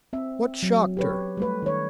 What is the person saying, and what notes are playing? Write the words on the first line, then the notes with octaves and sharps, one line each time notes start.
"What shocked her?"
C4 E5
F#3
G4 B4 C#5
G3 A3 B4
D#3 C#5